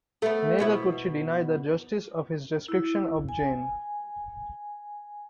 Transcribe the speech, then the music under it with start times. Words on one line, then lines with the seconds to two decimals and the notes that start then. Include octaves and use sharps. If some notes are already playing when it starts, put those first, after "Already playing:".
Neither could she deny the justice of his description of Jane.
0.22 A3 B3
0.59 B2 B3 E4
2.68 E4
3.29 G#5